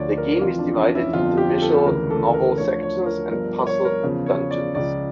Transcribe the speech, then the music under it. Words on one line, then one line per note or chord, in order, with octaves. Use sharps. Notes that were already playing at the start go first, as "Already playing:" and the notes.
The game is divided into visual novel sections and puzzle dungeons.
Already playing: D2 D3 F3 C#5 D5
A#4
F1 F2 E3 F4
D4
C#4
E4
G1 F2 D3 F3 F4
G4
A4
D2 C#3 E3 A#4
A4
A#4
D2 D3 F3 C#5
C#5
A#4
G1 G2 F3 A#4
C#5
A#4
E2 C#3 F3
C#5
D5
C#2 C#3 F3 D5